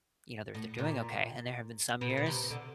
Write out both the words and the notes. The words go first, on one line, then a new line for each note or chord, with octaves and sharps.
you know, they're they're doing okay and there have been some years
A2
A#2
B2
A#2
B2
C3
D3